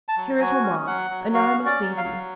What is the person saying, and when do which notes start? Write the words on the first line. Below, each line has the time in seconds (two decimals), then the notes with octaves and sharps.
Here is mamma, and now I must leave you.
0.09 A5
0.17 F#3
0.40 F#4 G#5
0.63 C#4
0.87 F#3 F#5
1.10 F#3
1.34 F#4 F5
1.58 C#4
1.66 D5
1.81 F#3
1.97 F5
2.04 F#3